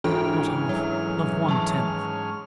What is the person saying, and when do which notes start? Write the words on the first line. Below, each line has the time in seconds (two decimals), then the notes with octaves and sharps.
Not half--not one-tenth.
0.04 G#2 E3 C#4 D4 A4 G5 F6
0.69 F#3
1.48 F#3 A5 C#6